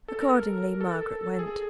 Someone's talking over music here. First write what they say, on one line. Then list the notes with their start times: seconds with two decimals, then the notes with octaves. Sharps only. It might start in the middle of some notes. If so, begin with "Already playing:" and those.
Accordingly Margaret went.
0.08 A4
0.20 A#4
0.81 A4
1.39 G#4